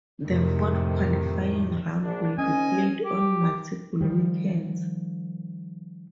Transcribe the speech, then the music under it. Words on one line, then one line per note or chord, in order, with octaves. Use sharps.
The fourth qualifying round will be played on multiple weekends.
F2 A2 C3 D#3
A#1 D4
G#1 C#4 D#5 G#5
G4
D#3 F3 G3